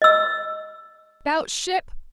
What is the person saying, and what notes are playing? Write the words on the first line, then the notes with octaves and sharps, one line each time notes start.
Bout ship.
D#5 E6